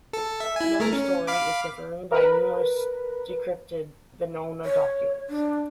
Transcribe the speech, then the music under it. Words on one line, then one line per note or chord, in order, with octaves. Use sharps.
Miller's story is confirmed by numerous decrypted Venona documents.
A4
E5
E4 G#5
A3 A#4
C#4
F5 B5 D6
A#4 B4
C#5
D4